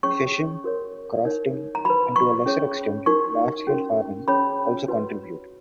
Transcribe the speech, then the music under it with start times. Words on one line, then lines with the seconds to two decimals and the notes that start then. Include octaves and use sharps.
Fishing, crofting and to a lesser extent, large-scale farming also contribute.
0.03 C#4 G#4 C#5 C#6
0.64 F#4 A#4 C#5
1.25 D#4 A#4 C#5
1.75 A#5
1.85 F#4 B4 B5
2.16 C#6
2.46 C#4 G#4 C#5
3.06 D#4 F#4 A#4 C#6
3.67 C#4 F#4 A#4
4.28 C#4 G#4 C#5 B5
4.88 F#4 B4